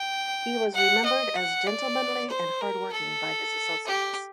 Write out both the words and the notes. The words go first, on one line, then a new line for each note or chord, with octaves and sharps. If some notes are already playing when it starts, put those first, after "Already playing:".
He was remembered as gentlemanly and hard-working by his associates.
Already playing: G5
F#5
D#5
F#5
D5
C5
A#4
A4
G4